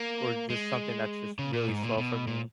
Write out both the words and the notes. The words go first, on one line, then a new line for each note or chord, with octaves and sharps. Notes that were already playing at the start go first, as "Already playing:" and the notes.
or just something that's just really slow for me.
Already playing: A#3
G#3
C#3
A#2
G#2
A#2
B2
A#2